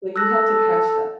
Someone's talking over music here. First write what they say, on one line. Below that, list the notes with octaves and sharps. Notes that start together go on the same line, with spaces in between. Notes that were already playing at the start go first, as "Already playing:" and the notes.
So you had to catch that,
A4 E6 F#6 A#6